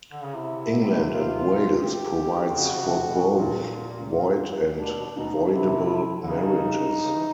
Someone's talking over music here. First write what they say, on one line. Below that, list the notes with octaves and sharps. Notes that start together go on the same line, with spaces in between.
England and Wales provides for both void and voidable marriages.
D3
C#3
C3 E4
F4
G4
D3
C#3 F#4
C#3
C3
B2
A#2
B2 D4
B2
B2 D#4
C3
B2
C3 E4
D3
C#3 D#4
C#3
E3